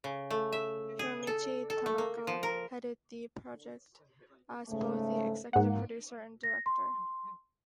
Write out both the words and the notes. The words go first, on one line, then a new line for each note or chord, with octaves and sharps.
Hiromichi Tanaka headed the project as both the executive producer and director.
C#3
A3
E5
G#4
A4
A4
A3
A#3
F3
A#4
G#2 C#3 A3
G#2 A#3 F#5
A#6
C6